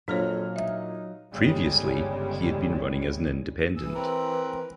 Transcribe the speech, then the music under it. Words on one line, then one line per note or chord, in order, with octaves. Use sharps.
Previously, he had been running as an independent.
F2 A#2 F#3 D4 C#5 F6
D#4 E5
G1 C#3 G3 G#3
E3 G#4 E6
C4 A#4 B4